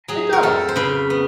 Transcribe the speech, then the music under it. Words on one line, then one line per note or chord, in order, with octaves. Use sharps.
It does.
F#3 G#4
A#4
F2 A4
C5
C#3 B4
B3